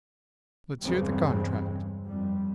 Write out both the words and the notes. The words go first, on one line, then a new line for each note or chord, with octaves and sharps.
"Let's hear the contract!"
E2 G2 C#3 G3 G#3 C4
F2 G3